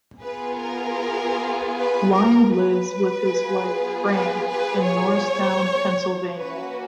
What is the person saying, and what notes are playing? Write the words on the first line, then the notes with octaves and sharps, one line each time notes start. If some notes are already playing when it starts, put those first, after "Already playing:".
Wine lives with his wife, Fran, in Norristown, Pennsylvania.
B3 F4 G#4 B4
A#4
B4
A#4
B4
B3 F4 G#4
B4
B4
C#5
A#3 C#4 F#4 B4